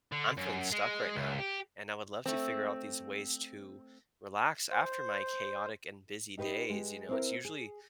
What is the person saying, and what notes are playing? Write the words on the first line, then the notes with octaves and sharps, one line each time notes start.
I'm feeling stuck right now, and I would love to figure out these ways to relax after my chaotic and busy days, you know? It's usually
D3
F#2
G#3
C#2
G4
A3 C4
C5
D#4 G4 B4 C5 D#5
G#3 G4
C4 E4 A#4
G#4